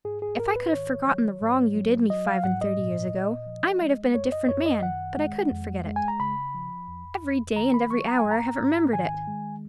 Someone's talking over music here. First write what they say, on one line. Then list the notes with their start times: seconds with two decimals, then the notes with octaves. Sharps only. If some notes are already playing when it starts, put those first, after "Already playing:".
If I could have forgotten the wrong you did me five-and-thirty years ago, I might have been a different man: but I couldn't forget it. Every day and every hour I have remembered it.
0.05 G#2 G#4
0.22 G#4
0.39 G#2 A#4
0.56 B4
0.73 D#3 C#5
1.07 F#3
1.41 G#2
1.75 F#3
2.10 F#3 D#5
2.27 F5
2.44 G#2 F#5
2.61 D#5
2.79 A#2
3.13 A#2
3.46 F3
3.81 G#3
4.14 F#2 C#5
4.32 D#5
4.48 F#2 C#5
4.66 D#5
4.83 D#3 F#5
5.17 G#3
5.51 F2
5.86 G#3
5.96 G#5
6.08 A#5
6.20 C#3 B5
6.54 F3
6.88 F2
7.22 F2
7.56 D#3 A#5
7.74 B5
7.91 F#3 C#6
8.08 A#5
8.19 G#5
8.25 G#2
8.31 A#5
8.59 G#2
8.93 D#3 G#5
9.27 G#3